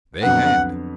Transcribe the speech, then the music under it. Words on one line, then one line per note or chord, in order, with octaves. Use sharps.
They had.
F2 D3 F#3 B3 F#5